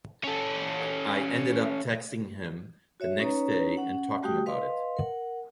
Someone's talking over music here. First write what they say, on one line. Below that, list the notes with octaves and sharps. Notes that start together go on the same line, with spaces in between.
I ended up texting him the next day and talking about it.
C#4 A4
F#4 C#5 E5
C#4 D#4 B4 C#5 A#5
C#4 F#5
G3 A3 F#4 G4 G5 D#6
B4 D#5 F5 C6
A#4 F#5